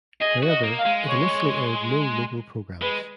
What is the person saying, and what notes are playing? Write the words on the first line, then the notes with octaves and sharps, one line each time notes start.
However, it initially aired no local programs.
G#4 D#5
F#4
D#5
A#3
F5
G#3
C#5
G#3 B4